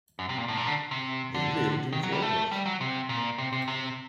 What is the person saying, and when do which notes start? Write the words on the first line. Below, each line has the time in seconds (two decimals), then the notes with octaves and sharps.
They lived in Fort Worth.
0.19 F#2
0.29 C3
0.38 A#2
0.48 A2
0.57 A#2
0.67 D3
0.91 C3
1.34 D3
1.92 D#3
2.03 F#3
2.13 G3
2.22 A3
2.51 G3
2.66 F#3
2.81 C3
3.09 A#2
3.38 C3
3.52 C3
3.68 C3